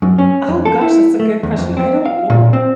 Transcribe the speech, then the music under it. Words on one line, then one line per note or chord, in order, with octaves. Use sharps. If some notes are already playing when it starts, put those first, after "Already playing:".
Oh, gosh, that's a good question, I don't know.
F#2
C#4
F2
A4
E4
A3
E2
F2
C4
F5
A#2
C4